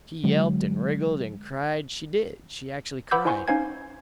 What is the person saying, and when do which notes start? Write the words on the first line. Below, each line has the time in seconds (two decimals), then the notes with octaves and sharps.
She yelped and wriggled and cried--she did--she actually cried.
0.24 D3 F#3 G#3
3.11 B4 F#5 B5 D6 E6 G6
3.25 E4 C5 G#5 C6 C#6
3.48 C#4 D#4 C5 F5 G#5 G#6